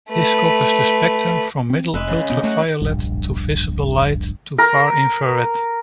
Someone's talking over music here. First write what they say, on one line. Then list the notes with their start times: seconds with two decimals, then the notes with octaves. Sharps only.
This covers the spectrum from middle ultraviolet to visible light to far infrared.
0.11 A3 B4
1.70 C4
1.94 F1 G#3 B4 E5
2.08 C#3
2.30 B2 B3 D#4
2.43 F#3 A3 F#5
2.82 D1 A#1 G2
4.58 A#4